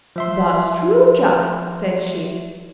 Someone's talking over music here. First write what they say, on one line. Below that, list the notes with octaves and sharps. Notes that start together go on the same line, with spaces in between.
"That's true, Jack," said she.
F3 E5 C6